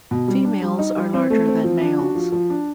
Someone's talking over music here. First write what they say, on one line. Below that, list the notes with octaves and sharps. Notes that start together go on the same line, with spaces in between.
Females are larger than males.
B2
G3
D4
G3
D#4
G3
C4
A3
C4
F3
D4
F#4
F3
F3
D4